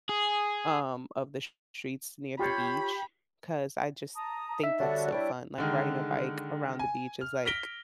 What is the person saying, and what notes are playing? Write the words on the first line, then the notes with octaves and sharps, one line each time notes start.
um, of the s streets near the beach, 'cause I just think that's so fun, like, riding a bike around the beach is, like, th
G#4
F4 G4 C#5 B5 G6
A5 A#5 D#6
D#4 E5
D3 G3 D4 F#4 A4 C#5 F#5
E4 C#5 D5 G5
D3 D#3 G#3
G#5
F6
F6 A#6 B6 D7 G7